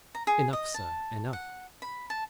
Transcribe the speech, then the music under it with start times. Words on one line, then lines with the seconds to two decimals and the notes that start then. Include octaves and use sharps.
Enough, sir, enough.
0.15 A#5
0.27 G#4
0.53 D#5
0.74 A5
1.33 F#5
1.82 B5
2.10 A5